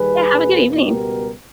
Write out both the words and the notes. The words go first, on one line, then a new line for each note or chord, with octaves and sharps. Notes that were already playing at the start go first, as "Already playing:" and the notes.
Yeah, have a good evening.
Already playing: D#2 D#3 G3 G#4 B4
E2 B2 A#3
C#2 B2 G3 B3 G4 A#4